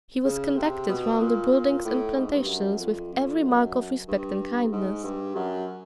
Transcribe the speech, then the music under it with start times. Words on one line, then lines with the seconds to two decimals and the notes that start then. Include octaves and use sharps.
He was conducted round the buildings and plantations with every mark of respect and kindness.
0.25 C#3
0.56 C3
0.88 B2
1.20 A#2
1.52 A#2
1.84 A2
2.16 G#2
2.32 G2
2.47 F#2
2.80 F2
3.12 F2
3.44 F#2
4.08 G2
4.72 G#2
5.03 G2
5.35 F#2